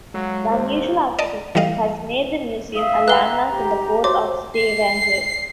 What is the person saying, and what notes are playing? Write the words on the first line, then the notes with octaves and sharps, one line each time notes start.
The unusual architecture has made the museum a landmark in the Port of Stavanger.
F#3 G#3 A4 F5
D#2 C5
D5 D#5 A5
E3 G3 D#5 F5
E5 F5 D#6
B4 F#5 G5 A#5 F#6 G7
G4
F#4 C5 C#5 D6
C7